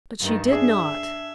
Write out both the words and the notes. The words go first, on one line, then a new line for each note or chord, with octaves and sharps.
But she did not.
G2 D#3
D4 G#4 E5